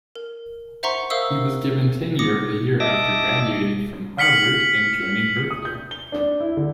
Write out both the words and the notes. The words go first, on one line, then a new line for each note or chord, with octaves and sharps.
He was given tenure a year after graduating from Harvard and joining Berkeley.
A#4
C5 E5 F#5 A#5 C6 C#6
A#4 C5 E5 F5 D#6 E6
D6 D#6 A#6 C#7
D#5 E5 A5 D6 A#6
F6 B6 C#7 F#7
D#6
G6
G7
D4
E4
D3